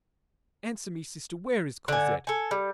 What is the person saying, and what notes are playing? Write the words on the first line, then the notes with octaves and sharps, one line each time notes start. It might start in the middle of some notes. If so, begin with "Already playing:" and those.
Answer me, sister; where is Cosette?
D3 G#5
A4 G#5
G3